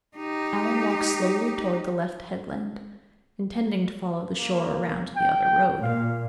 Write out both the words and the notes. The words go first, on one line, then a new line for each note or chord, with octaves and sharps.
Alan walked slowly towards the left headland, intending to follow the shore around to the other road.
D#4 G4
A#3
G5
A#2 F5